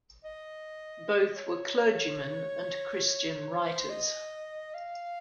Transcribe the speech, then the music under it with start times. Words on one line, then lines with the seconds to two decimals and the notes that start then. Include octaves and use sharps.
Both were clergymen and Christian writers.
0.25 D#5
1.37 C#5
3.62 C5
3.89 D#5
4.74 F5